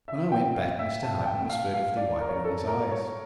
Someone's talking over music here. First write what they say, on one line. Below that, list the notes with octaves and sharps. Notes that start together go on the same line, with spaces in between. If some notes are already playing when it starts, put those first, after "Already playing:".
When I went back, Mr. Harton was furtively wiping his eyes.
E5
G5
F5
E5
A5
G5
F5
F5
D5
A#4
C#5
A#4
A4
A#4
C#5